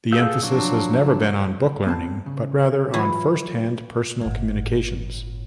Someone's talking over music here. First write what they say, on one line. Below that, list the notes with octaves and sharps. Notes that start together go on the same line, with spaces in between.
The emphasis has never been on book learning, but rather on first-hand personal communication.
G#4 A4 F5 E6 G6
F3 F#3 D4 F#4
B3 C4 A5
C#3
E3 F#3 E4 F4 G#5
G1 A2